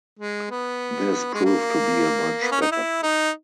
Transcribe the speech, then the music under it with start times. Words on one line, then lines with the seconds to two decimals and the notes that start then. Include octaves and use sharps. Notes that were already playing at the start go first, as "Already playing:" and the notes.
This proved to be a much better plan.
0.19 G#3
0.51 B3
1.34 G#3
1.45 A#3
2.42 B3
2.52 C#4
2.61 D#4
2.71 E4
3.03 D#4